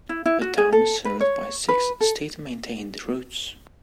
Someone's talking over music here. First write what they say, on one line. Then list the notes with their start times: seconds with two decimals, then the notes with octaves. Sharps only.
The town is served by six state-maintained routes.
0.09 E4
0.26 E4
0.42 F#4
0.57 G#4
0.72 A4
1.05 B4
1.21 C#5
1.68 B4
2.01 A4